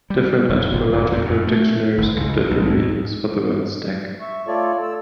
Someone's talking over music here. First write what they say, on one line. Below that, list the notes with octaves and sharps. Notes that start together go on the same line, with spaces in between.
Different etymological dictionaries give different meanings for the word stack.
G3
E1
G1
E1
F2
F#2
A3
G1
C#2
B1
D#2
E5 C#6
A3 F4 A4 C#5 D5
E6